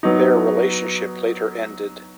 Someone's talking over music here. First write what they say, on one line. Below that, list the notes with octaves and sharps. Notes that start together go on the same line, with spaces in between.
Their relationship later ended.
F#3 B3 D#4